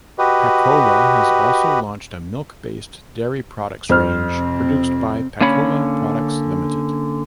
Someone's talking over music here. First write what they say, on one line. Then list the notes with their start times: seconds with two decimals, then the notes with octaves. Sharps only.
Pakola has also launched a milk-based dairy products range produced by Pakola Products Limited.
0.18 F#4 G4 B4 D#5
3.89 F2 C5 F6
4.33 C3 C4
5.41 D3 A#3 C#4 C#5 B5